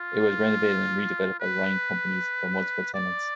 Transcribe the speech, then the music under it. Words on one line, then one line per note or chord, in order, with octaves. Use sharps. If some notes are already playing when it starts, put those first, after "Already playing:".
It was renovated and redeveloped by Ryan Companies for multiple tenants.
Already playing: F4
B4
D5